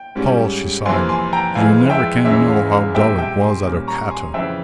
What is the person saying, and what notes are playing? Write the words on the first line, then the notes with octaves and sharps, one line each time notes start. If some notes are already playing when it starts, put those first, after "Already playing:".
"Paul," she sighed, "you never can know how dull it was at Okata."
Already playing: G5
G#2 G3 C#4
F2 C3 E3 A#3 G#5 C6
G#5 C6
G5 A#5
F2 E3 G#3 F5 G#5
E5 G5
E2 E3 G#3 C#4 E5
F5
F5
A#2 G3 C4 E5 G5
E5 G5
G#5 C6
A#2 G3 A#3 C#4
A#5 C#6
G#5 C6
F2 C#3 E3 E5 G5